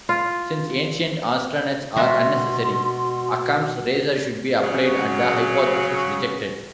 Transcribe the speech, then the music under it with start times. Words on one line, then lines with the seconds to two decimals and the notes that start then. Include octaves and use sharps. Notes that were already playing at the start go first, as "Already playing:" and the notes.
Since ancient astronauts are unnecessary, Occam's razor should be applied and the hypothesis rejected.
0.09 F4
1.96 B2 G#3 F#4 E5 C6
4.62 C#3 F#3